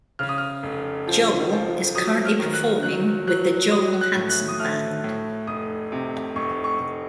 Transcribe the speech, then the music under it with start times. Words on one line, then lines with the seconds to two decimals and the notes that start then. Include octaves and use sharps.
Joel is currently performing with The Joel Hanson Band.
0.19 C#3 F6
0.29 D#6
0.38 F6
0.63 F1
1.08 F3
1.52 F3
1.95 F#3 D#6
2.25 F6
2.40 D#3
2.54 F#6
2.83 F#3 F#6
3.27 F#3 F#6
3.71 F#3 D#6
4.01 F#6
4.15 A2
4.29 F#6
4.48 D#6
4.59 A3 F6
5.04 A2
5.47 F1 D#6
5.92 C3
6.35 F1 C#6
6.64 C#6
6.79 F1